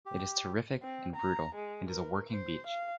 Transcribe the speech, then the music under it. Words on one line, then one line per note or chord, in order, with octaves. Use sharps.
It is terrific and brutal and is a working beach.
G4
C4
A#5
G#3
A#4 B4
C5
F5